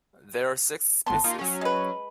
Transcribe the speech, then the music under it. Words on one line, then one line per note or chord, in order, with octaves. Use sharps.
There are six species.
G#1 B3 A5 C6
A#3 D#4 F4
F#3 C#4
G#3 B4